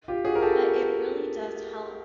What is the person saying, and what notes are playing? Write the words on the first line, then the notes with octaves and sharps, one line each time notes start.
But it really does help,
F4 G4
F#4 G#4
A#4
G4 A4